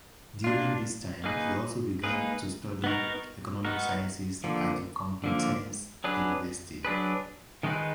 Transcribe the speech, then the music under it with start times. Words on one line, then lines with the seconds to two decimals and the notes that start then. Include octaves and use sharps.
During this time he also began to study economic sciences at the Complutense University.
0.44 A#3 D4 F4
1.24 A#3 D#4 G#4 B4
2.04 A#3 D#4 G#4 B4
2.84 B3 D#4 F#4 A#4
3.65 B3 D#4 F#4 A#4
4.44 D3 F3 A#3
5.24 D3 F3 A#3
6.04 F#3 D4 G#4 B4
6.85 F#3 D4 G#4 B4
7.63 D#3 G#3 D#4 G#4 B4